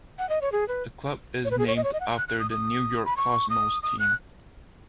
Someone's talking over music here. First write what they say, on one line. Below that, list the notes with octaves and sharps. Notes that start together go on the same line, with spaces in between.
The club is named after the New York Cosmos team.
F#5
D#5
C#5
G#4
B4
C#5
B4
G#4
C#5
D#5
C#5
D#5
F#5
G#5
F#6
F#6
D#6
D#6
B5
C#6
D#6
D#6
F#6